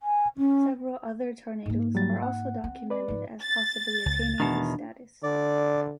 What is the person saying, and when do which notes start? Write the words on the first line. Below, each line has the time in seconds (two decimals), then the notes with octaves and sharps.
Several other tornadoes are also documented as possibly attaining this status.
0.01 G#5
0.37 C#4
1.66 G#2 A#3
1.95 F#3 G3 A6
2.23 F#5
2.64 C4
2.90 B4 D5
3.08 G#2 F3
3.42 A6
4.06 C#2
4.40 E2 B2 D#3 D4
5.23 D3 D5